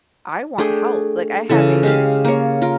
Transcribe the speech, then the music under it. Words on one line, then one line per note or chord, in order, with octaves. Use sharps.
I want help, like I have ADHD,
A3 D4 G#4 G5
C#3 E3 A4
G#3 G4 F5
A#3 C#5
F4 A#4